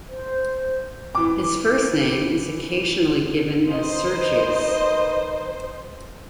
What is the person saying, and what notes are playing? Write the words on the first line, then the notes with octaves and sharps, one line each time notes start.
His first name is occasionally given as "Sergius".
C5
E3 D6
D#3 D#4 B4 C5 D#5